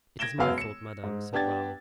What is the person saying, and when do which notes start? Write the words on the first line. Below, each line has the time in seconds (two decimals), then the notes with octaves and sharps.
"It is my fault, madame," said Raoul.
0.19 G#6 A#6 D7 E7 G7
0.38 E1 F#2 B3 F5 E6
0.58 C#7 E7
1.03 G#2
1.33 B3 D4 G4 G5 G#6 A6